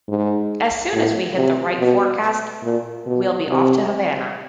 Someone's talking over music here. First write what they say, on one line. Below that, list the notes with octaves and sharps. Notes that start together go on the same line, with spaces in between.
As soon as we hit the right forecast, we'll be off to Havana.
G#2
A2
C3
B2
A#2
B2
C3